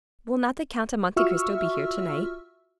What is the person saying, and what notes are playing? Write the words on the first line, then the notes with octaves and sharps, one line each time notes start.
"Will not the Count of Monte Cristo be here to-night?"
F4 F#4 E5 C#6 E6 F6